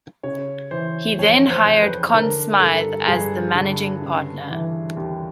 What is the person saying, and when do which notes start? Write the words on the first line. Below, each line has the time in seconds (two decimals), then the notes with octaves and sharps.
He then hired Conn Smythe as the Managing Partner.
0.23 C#3 C#5
0.71 E3 C5
1.19 F2 C#5
1.51 C5
1.66 F2
1.81 B4
2.14 D3 A#4
2.60 G2 A4
3.07 G2 G#4
3.55 D3
4.02 C#3
4.50 E3
4.97 D#2